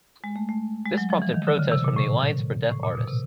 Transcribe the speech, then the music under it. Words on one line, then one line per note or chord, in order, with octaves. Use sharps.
This prompted protests from the Alliance for Deaf Artists.
G#3
A3
A3
G#3
F#3
F3
E3
D#3
D3
C#3
C3
A#2
A2
A2
A#2
B2
C3